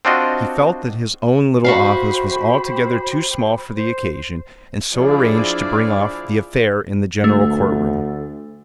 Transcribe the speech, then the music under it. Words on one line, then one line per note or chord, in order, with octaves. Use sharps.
He felt that his own little office was altogether too small for the occasion and so arranged to bring off the affair in the general courtroom.
C4 D4 F4 F#4 D#5
F#4 G4 C5 E5 F5 B5
C5
F3 D4 E4 G#4 D5 F5
D2 A3